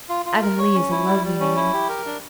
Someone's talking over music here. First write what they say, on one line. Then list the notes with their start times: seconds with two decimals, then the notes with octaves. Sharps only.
Avonlea is a lovely name.
0.09 F4
0.26 F4
0.42 A#4
0.58 C#5
0.75 C#4
0.91 E4
1.08 G3
1.24 G3
1.40 C#4
1.56 E4
1.73 G4
1.89 A#4
2.06 D4